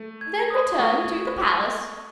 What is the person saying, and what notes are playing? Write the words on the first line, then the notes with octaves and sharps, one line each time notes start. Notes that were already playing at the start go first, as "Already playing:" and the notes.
"Then return to the Palace."
Already playing: A3
G#6
D#6
A3 C#6